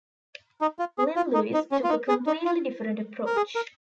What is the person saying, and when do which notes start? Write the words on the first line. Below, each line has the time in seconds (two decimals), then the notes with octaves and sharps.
Lil Louis took a completely different approach.
0.61 D#4
0.79 F4
0.98 G#4
1.16 F4
1.34 D#4
1.54 D#4
1.72 C#4
1.84 F4
1.89 D#4
2.08 G#4
2.27 D#4
2.45 F4
3.26 A#4
3.36 G#4
3.55 A#4